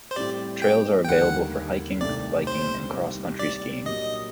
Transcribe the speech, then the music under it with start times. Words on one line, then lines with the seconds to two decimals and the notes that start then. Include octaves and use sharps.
Trails are available for hiking, biking, and cross-country skiing.
0.11 C5
0.16 A2 G3 C4 G4 D5
0.62 G5
1.05 G5
1.09 D#2 D3 G3 A#3 F#5
2.01 C2 C3 D#3 A3 D5
2.47 C5
2.93 C2 C3 D#3 G3
3.39 D5
3.85 A#2 F#3 A#3 D4 G4 D#5